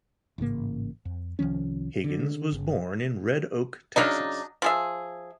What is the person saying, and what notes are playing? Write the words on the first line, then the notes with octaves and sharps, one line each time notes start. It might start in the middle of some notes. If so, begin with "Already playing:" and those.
Higgins was born in Red Oak, Texas.
A1 G#2 C#3 A#3
F2
C2 D#3 F3 C#4
D3
G1
C#3 F#3 D4 D#4
F3 G#4 E5